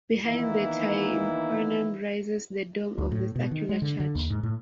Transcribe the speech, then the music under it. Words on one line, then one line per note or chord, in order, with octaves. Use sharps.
Behind the tympanum rises the dome of the circular church.
D#3 E3 A#3 B3 D#4 E4
D2
A2
B2
D#3
G#3
D3
D3
D#2
G#2
A2